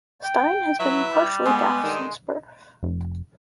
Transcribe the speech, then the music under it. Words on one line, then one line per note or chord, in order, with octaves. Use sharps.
Stine has been partially deaf since birth.
G5
F#3 E4 B4 E5
G3
G#3 B3
G2 D3 D#3
F1